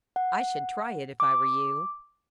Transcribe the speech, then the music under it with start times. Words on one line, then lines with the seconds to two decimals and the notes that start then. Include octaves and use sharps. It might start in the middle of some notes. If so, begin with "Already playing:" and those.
I should try it if I were you.
0.16 F#5
1.20 D6